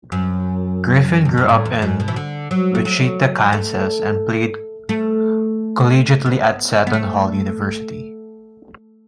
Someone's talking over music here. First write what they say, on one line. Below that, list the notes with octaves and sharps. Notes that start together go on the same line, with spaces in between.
Griffin grew up in Wichita, Kansas and played collegiately at Seton Hall University.
F#2
E2
F#2
A2
E2
F#2
B2
E3
D3
F#3
A3
F#3
A3
A3
B3
B3
A3